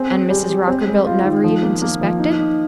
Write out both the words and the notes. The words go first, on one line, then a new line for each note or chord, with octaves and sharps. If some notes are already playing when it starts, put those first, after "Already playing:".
"And Mrs. Rockerbilt never even suspected?"
Already playing: C4 G#4
C4
G3
G3
C4
G#3
F4
D#3
F3
A#3
A#3
F3
D#4
D#4